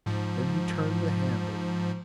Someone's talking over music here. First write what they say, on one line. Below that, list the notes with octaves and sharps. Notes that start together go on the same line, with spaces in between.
Then he turned the handle.
G#2 F3